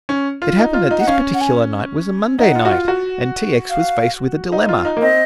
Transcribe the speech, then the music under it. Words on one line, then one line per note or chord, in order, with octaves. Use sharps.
It happened that this particular night was a Monday night and T. X. was faced with a dilemma.
C#4
F4
D#4
F4
D#4
F#5
C#4 F5
F#5
G#5
D#4 F#5
F4
F#4
F4
F#4
F5
D#4
F4
D#4
A#3
C4 D#5